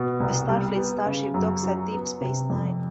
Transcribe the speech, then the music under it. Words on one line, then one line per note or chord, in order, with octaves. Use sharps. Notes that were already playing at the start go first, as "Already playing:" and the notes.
A Starfleet starship docks at Deep Space Nine.
Already playing: B2
C2
G3
B3
C#3
F#2
F#3
B3
C3
F2